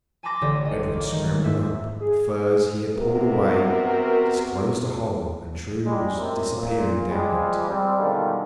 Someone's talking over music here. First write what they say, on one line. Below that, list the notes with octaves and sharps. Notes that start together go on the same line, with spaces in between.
Edred scrambled up; the furze he had pulled away disclosed a hole, and True was disappearing down it.
G#5 A5 B5 C6 D6 A#6
A1 D3 G4 D5 D#6
C#5 D#5
A#3
D#3 G#3
G#2 E5
G#4
C3 B3 F#4 A#4
G3 G#3
F#2 C3
A#2
F3 G3 G#3
G3 C4
B2 D3 D#3 F3 G3 G#3